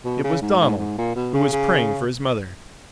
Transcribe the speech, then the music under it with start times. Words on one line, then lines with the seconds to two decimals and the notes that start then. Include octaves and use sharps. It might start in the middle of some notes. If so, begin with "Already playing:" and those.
It was Donald who was praying for his mother.
0.05 B2
0.24 C#3
0.42 G#2
0.60 G#2
0.78 G#2
0.98 A#2
1.15 B2
1.34 C#3
1.52 C#3